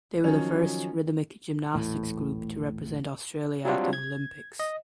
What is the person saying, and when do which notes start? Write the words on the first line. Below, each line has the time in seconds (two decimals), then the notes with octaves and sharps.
They were the first rhythmic gymnastics group to represent Australia at the Olympics.
0.24 D#3 F3 F#3 C#4
1.73 D#1 A1 A2
3.65 F#3 G3 C4 D4 F4 F#4
3.93 G#6
4.60 D#5